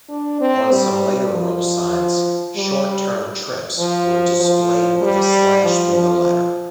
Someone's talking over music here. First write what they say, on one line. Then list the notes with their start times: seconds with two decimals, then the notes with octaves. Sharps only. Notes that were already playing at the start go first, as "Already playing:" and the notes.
On some later rollsigns, short-turn trips were displayed with a slash through the letter.
0.09 D4
0.41 C4
0.71 G3
1.33 F3
2.56 G3
3.78 F3
4.40 F3
5.02 G3
5.64 F3
5.94 F3